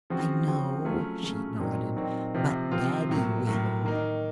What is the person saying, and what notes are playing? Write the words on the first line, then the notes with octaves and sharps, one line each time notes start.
"I know," she nodded, "but Daddy will."
C#3 F3 C4 F#4
C#3 F3 C4 F#4
C#3 F#3 A3 C#4 F4
C#3 F#3 A3 C#4 F4
A#2 F#3 C4 D#4 F#4
A#2 F#3 C4 D#4 F#4
C3 F3 C4 F4
C3 F3 C4 F4
A2 F#3 A#3
A2 F#3 A#3
D#3 A#3 D#4